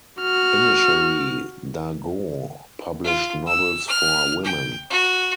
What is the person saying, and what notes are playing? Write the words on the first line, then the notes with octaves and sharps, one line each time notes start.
Initially, Dargaud published novels for women.
F#4 F6
F4
E6
F6
G5
F#4